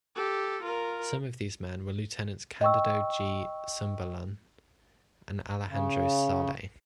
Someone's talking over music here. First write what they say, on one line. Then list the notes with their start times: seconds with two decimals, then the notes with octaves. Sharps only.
Some of these men were Lieutenants Candido G. Sumbalan and Alejandro Sale.
0.16 G4 A4
0.63 F4 A#4
2.61 D#5 G5 C#6 E6
5.69 C#3